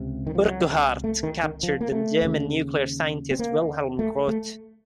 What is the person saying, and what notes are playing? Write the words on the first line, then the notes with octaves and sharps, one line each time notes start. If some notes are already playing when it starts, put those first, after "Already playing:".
Urquhart captured the German nuclear scientist Wilhelm Groth.
Already playing: C#2 C3
D#3
F3
F#3
A3
D#3
D#3
F3
A#3
A3
D#2 C#3
C4
A#3
A3
A3